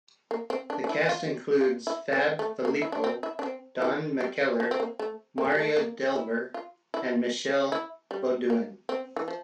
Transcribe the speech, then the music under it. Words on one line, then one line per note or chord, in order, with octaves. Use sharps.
The cast includes Fab Filippo, Don McKellar, Marya Delver and Michelle Beaudoin.
A#3
C4
D4
D4
E4
F4
F4
E4
C4
A3
A#3
E4
D4
C4
E4
D4
C4
E3
G3
F3
C4
A#3
A3
A#3
A3
G3
A3
A#3
E4
F4
E4
E4
G3
A#3
C4
E3
F3